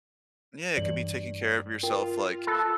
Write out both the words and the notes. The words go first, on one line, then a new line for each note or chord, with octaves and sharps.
Yeah, it could be taking care of yourself like,
G2 E3 D5 F#7
F4 A#4 G5
A4 B5 F#6